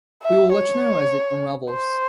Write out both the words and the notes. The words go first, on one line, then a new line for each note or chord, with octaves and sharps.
We will let you know as it unravels.
E5
C#5
C5